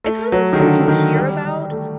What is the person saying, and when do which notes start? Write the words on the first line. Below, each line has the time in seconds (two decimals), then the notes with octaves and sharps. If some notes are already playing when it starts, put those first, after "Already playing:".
it's one of those things you hear about,
0.04 A3
0.32 F#3
0.53 D#3
0.60 D3
0.80 D3
0.88 D#3
1.16 G3
1.44 G3
1.71 A3